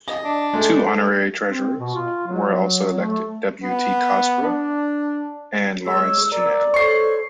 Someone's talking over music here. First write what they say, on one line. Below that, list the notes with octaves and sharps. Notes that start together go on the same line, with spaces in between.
Two Honorary Treasurers were also elected, W. T. Cosgrave and Laurence Ginnell.
D#5
D4
G#3 A3
C4
B2
F4
F#3
A3
B3
D4
G#3 C#5 E6
A#4 D5
A4 C5 C#5 C#6 C7